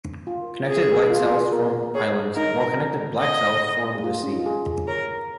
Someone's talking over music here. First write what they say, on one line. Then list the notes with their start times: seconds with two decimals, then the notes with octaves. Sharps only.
Connected white cells form "islands", while connected black cells form the "sea".
0.27 F4
0.69 G#4
1.10 F4
1.25 F4
1.32 G#4
1.52 A#4
1.95 G#4 C#5
2.37 D#4 A#4
3.20 D#5
3.95 G#4
4.04 F4
4.23 C#4
4.31 D#4
4.39 F4
4.46 G#4
4.88 A#4 C#5